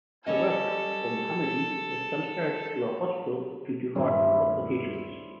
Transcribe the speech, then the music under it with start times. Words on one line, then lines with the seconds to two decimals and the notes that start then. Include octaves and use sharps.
However, Golmohammadi was transferred to a hospital due to heart complications.
0.26 G3 C#4 A4 D#5
3.95 D#1 G2 A3 C4 E4 C#5